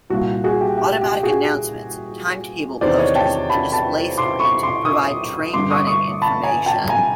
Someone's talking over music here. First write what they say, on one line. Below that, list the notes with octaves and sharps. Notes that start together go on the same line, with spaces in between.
Automatic announcements, timetable posters and display screens provide train running information.
C2 A#2 F#4
F#4 G#4
G4
G4
G4
F#4 G#4
E2 C3 D#3 C5 D5
C#5 D#5
G5 A5
A5 B5
A5 B5
C6 D6
B5 C#6
C6 D6
C#6 D#6
G2 D3 C6 D6
C#6 D#6
C#6 D#6
A5 B5
G#5 A#5
G5 A5
G#5 A#5